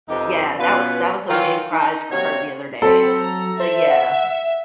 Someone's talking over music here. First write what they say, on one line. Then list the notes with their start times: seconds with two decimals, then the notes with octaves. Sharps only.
yeah, that was that was a big prize for her the other day. So yeah.
0.09 F2 C3 D#4 G4 B4 D#5
0.59 B2 C#4 F4 B4
1.29 D#3 E3 F#3 F4
1.72 D#4
2.10 C3 A#3 F#4 C#5
2.82 F#3 C4 A4 B5 C#7
3.18 A#5
3.60 C5 E5
3.91 F#5